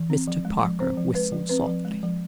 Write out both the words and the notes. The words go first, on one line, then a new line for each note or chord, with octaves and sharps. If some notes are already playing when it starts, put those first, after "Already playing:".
Mr. Parker whistled softly.
Already playing: E3
C4
F3
G#3
F3
C4 C5
F3
G#3 B4
F3
C4 B4
F3
G#3
F3